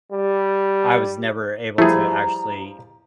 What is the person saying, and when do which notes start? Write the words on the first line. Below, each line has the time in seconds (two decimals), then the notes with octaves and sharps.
I was never able to actually
0.12 G3
1.78 F3 G3 A3 E4 G#4 A#5